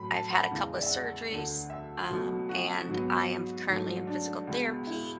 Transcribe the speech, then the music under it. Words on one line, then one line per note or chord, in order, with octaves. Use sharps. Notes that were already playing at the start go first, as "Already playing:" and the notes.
I've had a couple of surgeries, um, and I am currently in physical therapy
Already playing: A2 F#3 A3 B5
A5
F#5
E2 C#3 E3 G#3
D5
E5
F#5
D2 D3 A3
E5
C#2 B2 F#3 A3
F#4
G#2 F#3 B3
G#2 F#3 A3
D4
C#2 B2 G#3 B3
E4